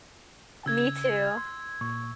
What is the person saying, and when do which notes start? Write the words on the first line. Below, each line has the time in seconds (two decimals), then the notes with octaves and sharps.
Me too.
0.66 C#3 E6 G#6
1.37 C6
1.81 A#2 C#6